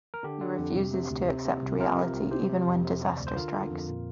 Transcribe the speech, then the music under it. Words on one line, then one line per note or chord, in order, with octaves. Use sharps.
He refuses to accept reality even when disaster strikes.
A#4
D3 D4 G4
D3
F2
C3
C3
D2
C3
C3
C2
C3 F4 A#4
C3
C2
C3 G4 C5
C3
F2
C3
C3
D2 D5
C5
D3 F4 A#4
D3
F2
A#2